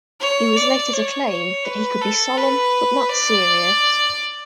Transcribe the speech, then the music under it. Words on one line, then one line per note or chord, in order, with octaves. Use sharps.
He was later to claim that he could be 'solemn but not serious'.
C#5
D5
C#5
C#5
B4
A4
B4
D5